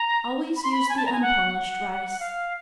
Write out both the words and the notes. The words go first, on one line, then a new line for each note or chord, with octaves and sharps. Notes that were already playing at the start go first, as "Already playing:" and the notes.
Always use the unpolished rice.
Already playing: A#5
B5
C6
B5
G#5
A5
A#5
G#5
F#5
F#5
F5